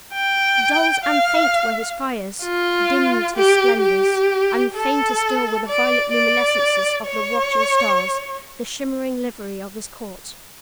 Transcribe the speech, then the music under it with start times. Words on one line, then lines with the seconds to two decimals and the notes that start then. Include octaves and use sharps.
Dulled and faint were his fires, dimmed his splendors; and fainter still were the violet luminescences of the watching Stars, the shimmering livery of his court.
0.13 G5
1.05 F5
2.43 F4
3.36 G4
3.82 G4
4.75 A4
5.67 D5
6.13 D5
7.06 C#5